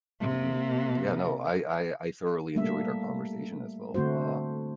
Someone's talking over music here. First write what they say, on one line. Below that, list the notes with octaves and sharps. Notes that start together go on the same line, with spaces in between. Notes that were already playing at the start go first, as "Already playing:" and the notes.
Mhm. Yeah, no, I I I thoroughly enjoyed our conversation as well, uh,
C3 A#3
G3 A3 A#3 E5
D3 A3 C4 F#4 C5